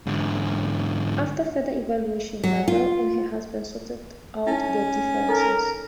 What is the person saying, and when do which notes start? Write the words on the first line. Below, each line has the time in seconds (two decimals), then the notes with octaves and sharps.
After further evaluation, LaBelle and her husband sorted out their differences.
0.07 G#2 D3
2.43 F#3
2.68 F4
4.47 C#4 D#4 E4
5.29 D#4 A4 A#4